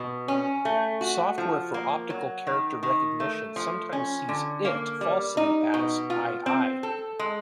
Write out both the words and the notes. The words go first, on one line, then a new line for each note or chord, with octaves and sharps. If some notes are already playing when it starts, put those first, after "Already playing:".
Software for optical character recognition sometimes sees it falsely as "ii".
Already playing: B2
C#4
A3
F#4
F3
A#3
F#3
D#3
D#3
A3
F3
C#4
D3
A#3
G3
D#4
B2
F4
C4
A4
G#3